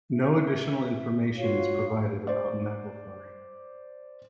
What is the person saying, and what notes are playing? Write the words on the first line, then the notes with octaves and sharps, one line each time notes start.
No additional information is provided about Naglfari.
E5
F4 F#4 C#5 F5
C5 D5